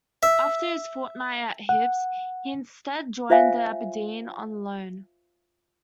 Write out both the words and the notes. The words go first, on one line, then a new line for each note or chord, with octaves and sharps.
After his fortnight at Hibs, he instead joined Aberdeen on loan.
E5
F#5
F4 C5 E5 F5 G#5